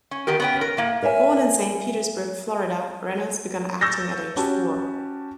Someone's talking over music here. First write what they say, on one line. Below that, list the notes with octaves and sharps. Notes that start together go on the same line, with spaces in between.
Born in Saint Petersburg, Florida, Reynolds began acting at age four.
C#4
D#3 B3 G4 A#4
B3 C#4 G5
A#4
A2 A#3
A#4 C#5 E5 G#5
C#6 E6 G6 A6 A#6
C#4 F#4 G4 A5